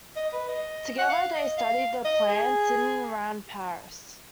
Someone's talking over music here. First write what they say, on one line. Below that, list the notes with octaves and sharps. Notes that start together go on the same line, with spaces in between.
Together they studied the plants in and around Paris.
D#5
B4
D#5
F#5
F5
D#5
F5
D#5
G#4